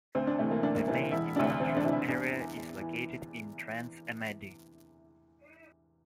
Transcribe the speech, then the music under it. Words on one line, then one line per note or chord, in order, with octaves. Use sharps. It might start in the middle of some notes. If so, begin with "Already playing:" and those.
The main industrial area is located in Trans Amadi.
D2 C4
D4
C3 E3 A3
A#3
D2 D4
A#3
C3 E3 C4
E1 E4
D2 C3 E3 D4
E1 C4
D4
D2 C3 E3
E4
E2 D4
E3
E2
E3